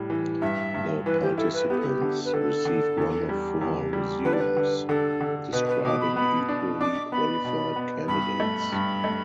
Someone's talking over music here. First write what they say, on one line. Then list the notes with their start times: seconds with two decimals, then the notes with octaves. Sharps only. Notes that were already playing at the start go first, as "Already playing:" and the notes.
The participants received one of four resumes describing equally qualified candidates.
Already playing: A2 G3
0.10 E3
0.42 G2 E5
0.74 G2
1.06 E3 B4
1.22 G4
1.38 E4 A4
1.53 B4
1.70 B3 G4
1.78 A4
1.87 G4
2.02 D3
2.25 B4
2.34 D3 A4
2.65 D3
2.97 E2
3.29 G3
3.61 E2
3.93 G3
4.25 D3 B4
4.33 D5
4.40 B4
4.57 D3
4.89 D3 A4
5.21 D3
5.53 B2 B4
5.68 B4
5.85 B2 D6
6.01 B5
6.16 B3 B5
6.48 D4
6.81 D4 D6
7.12 B3 B5
7.44 B2
7.76 B3
8.08 G2 B5
8.40 A3
8.72 G2
9.04 A3